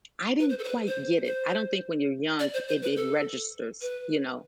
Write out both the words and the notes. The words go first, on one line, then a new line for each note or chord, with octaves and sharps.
I didn't quite get it, I don't think when you're young, it it registers, you know?
B4
C5
A4
C5
B4
C5
C5
D5
C5
C5
B4
A4
B4